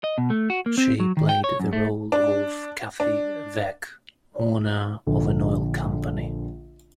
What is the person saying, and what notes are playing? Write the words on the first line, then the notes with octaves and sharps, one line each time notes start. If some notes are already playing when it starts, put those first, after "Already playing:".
She played the role of Kathy Veck, owner of an oil company.
D#5
B2
A3
F#4
A#3
C4
F#3
D#3
G5
C#5
F#2
A3
D4
D4
A#1 D3